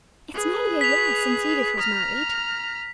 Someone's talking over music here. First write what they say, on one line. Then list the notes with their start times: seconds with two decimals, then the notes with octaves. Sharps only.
It's nearly a year since Edith was married!'
0.34 G#4 B4
0.81 B6 F7
1.78 A#5 F6